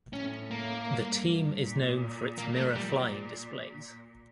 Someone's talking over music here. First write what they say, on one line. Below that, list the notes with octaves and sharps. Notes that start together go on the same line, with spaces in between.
The team is known for its mirror flying displays.
A2 C#4
A#3
G2
A#2
A#3
A3
G3